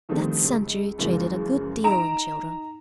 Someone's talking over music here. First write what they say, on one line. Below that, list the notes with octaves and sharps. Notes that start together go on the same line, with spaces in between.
That century traded a good deal in children.
D3 D#3 F3 G3 A3 C4
C#2
F#2 C#3 E3 F3 G#3 A#3
D#4 A#5 D7 E7